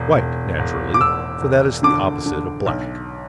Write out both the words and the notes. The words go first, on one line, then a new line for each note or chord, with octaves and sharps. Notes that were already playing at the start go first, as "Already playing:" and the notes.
White, naturally, for that is the opposite of black.
Already playing: E1
E1
E1
D6
E1 E6
E1
D3 D6
D3
B1